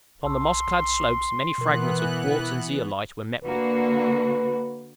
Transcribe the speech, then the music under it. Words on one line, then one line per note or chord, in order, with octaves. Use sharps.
Upon the moss-clad slopes many fragments of quartz and zeolite were met with.
B1 A5 C6 E6
B2 E3 B3 A#4 F#6
D3 A#3 F#4 B4